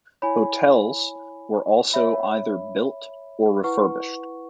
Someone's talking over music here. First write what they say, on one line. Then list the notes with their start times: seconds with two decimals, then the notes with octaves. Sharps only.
Hotels were also either built or refurbished.
0.22 E4 C#5 G#5 B5
1.93 C#5 E5 B5
3.63 E4 B4 F#5 C#6